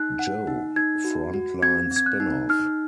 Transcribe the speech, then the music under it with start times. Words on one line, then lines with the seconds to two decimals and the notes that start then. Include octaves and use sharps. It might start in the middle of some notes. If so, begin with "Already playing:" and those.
Joe: Frontline spin-off.
Already playing: D#4 F#6
0.19 F#5
0.47 D#4
0.76 D#4 G#6
1.05 F#4
1.34 F#4
1.63 C4 G#6
1.91 C4
1.96 G#6
2.06 F#6
2.20 D#4
2.49 D#4 F6